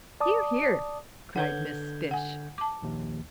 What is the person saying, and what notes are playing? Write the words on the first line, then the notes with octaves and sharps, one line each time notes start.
"Hear! hear!" cried Miss Fish.
D5 A5 D6 D#6
D3 B4 C#5 F#5 G6 G#6
F#5 G#5
A5 D6
A#1 D#2